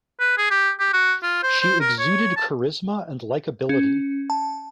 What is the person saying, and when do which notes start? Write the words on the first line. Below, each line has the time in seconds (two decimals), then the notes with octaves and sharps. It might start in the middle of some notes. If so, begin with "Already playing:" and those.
She exuded charisma and likability.
0.20 B4
0.38 G#4
0.51 G4
0.80 G4
0.93 F#4
1.23 F4
1.43 C5
1.61 C5
1.81 A#4
1.99 C#5
2.36 A5
3.69 C#4
4.30 A5